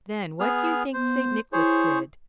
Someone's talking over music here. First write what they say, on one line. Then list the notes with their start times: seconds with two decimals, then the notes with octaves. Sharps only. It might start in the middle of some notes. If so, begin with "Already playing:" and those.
Then what do you think St. Nicholas did?
0.40 B3 G#4 F6
0.94 B3 C5
1.53 E4 G#4 C5 C#5